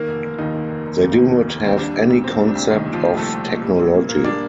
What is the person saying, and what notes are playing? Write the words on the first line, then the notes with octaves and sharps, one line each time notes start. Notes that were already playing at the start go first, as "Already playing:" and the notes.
They do not have any concept of technology.
Already playing: D#3 A#3 A#4
F1
F1
D#2 D#3 D#4
D#3
F1
F1
D#2
D#3
F1
F1
D#2 C4
G3 D4
C2
C2
A#2 C4
G3
D4
C2
C2 D#3 D#4
A#2
F3 F4
G3
C2 A3 A4
C2
A#2
G3
A#1
A#3
A#2 A#3 A#4
G3 D4 D5